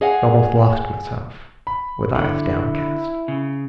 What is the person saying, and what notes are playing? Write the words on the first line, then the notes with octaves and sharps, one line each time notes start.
And almost lost myself with eyes downcast.
G#4 C#5 D#5 F5 F#5 G#5
B5
D3 E4
C#3